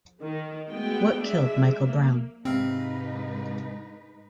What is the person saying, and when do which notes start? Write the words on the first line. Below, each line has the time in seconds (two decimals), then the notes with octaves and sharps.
What Killed Michael Brown?
0.23 D#3
0.70 G#3 A3 B3 F#4 G5
1.23 G#3 D4 E5
1.85 A#3
2.45 G#2 C3 C4 D#4 B4 F5